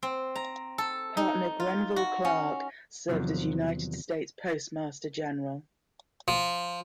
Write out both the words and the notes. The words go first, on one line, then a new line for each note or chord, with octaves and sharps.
Partner Grenville Clark served as United States Postmaster General.
C4
A#5
A4
D#4
F4
F#4
C#4
E2 A2 C3 D#3 F3 F#3
F3